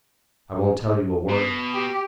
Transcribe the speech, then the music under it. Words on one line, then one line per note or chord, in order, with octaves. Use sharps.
"I won't tell you a word."
B2
G4